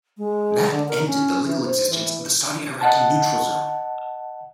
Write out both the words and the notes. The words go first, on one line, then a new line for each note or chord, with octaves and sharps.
That ended the legal existence of the Saudi-Iraqi neutral zone.
G#3
D3
A#4
C#4
E3
C5
E3
D#5 F#5 A5